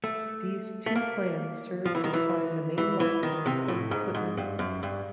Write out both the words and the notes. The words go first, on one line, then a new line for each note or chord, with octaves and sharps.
These two plans served to define the main lines of the port equipment.
A3
A3
A#3
F3
E3
D#3
E3
E3
E3
D#3
C3
A2
G#2
G#2
G2
F#2
G2